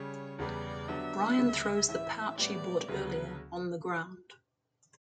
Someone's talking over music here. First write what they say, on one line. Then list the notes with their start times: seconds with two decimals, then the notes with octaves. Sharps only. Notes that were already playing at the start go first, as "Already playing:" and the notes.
Brian throws the pouch he bought earlier on the ground.
Already playing: C#3 G3 C#4 C#5
0.39 E2 C#3 G3 B3 D5
0.89 D3 F#3 B3 D4 G4 E5
1.38 D2 C#3 G3
1.88 A2 E3 A3 E4 E5
2.38 A2 G3 B3 D5
2.88 D2 C#3 F#3 B3 B4